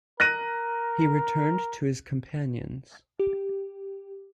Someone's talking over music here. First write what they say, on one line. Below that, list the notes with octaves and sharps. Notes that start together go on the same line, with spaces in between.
He returned to his companions.
A#4 F#6 A#6 D#7
G4